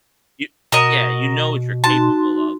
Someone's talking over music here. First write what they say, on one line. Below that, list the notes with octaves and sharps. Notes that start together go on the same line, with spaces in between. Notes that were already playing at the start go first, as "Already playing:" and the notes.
You yeah, you know what you're capable of.
B2 F#4 A#4 D#5
D#4 F#4 A5 C6